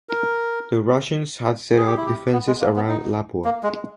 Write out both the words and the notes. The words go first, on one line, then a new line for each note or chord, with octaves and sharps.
The Russians had set up defences around Lapua.
A#4
G#4
G4
E4
G4
B3
G#3
A#3
B3
D#4
A#3
G#3